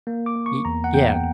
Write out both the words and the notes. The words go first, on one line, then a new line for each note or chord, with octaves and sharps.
Ye Yeah.
A#3
D6
A#3
C#6
E2 A#5
F#5
E2 G5